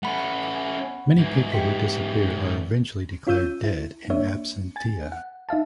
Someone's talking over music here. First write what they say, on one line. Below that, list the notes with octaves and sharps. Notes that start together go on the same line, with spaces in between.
Many people who disappear are eventually declared dead "in absentia".
A3 C#4 F#5 B5
G#2 E3
G4 G5 B6
C#4 F4 C#5 E6 G6 D#7
E4
A#3 D4 C#5 E5
G#5 A6
F#5
D#4 E5 F5 A5